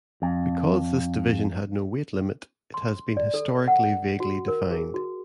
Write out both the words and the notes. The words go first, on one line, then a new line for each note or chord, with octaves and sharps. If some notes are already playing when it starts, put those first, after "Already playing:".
Because this division had no weight limit, it has been historically vaguely defined.
F2
C6
D5
A4
F#5
F#4
A#4
G#4
F#4